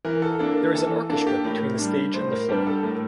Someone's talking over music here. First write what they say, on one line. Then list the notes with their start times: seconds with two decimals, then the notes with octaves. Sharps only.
There is an orchestra between the stage and the floor.
0.05 E3 A#4
0.22 A4
0.39 A#3 D4 A4
0.57 A#4
0.74 E3 A4
1.10 A#3 D4 A4
1.27 G4
1.45 A2 A#4
1.79 G3 D4
2.14 A2 C5
2.32 A#4
2.49 G3 D4 G4
2.67 A4
2.83 A2 A#4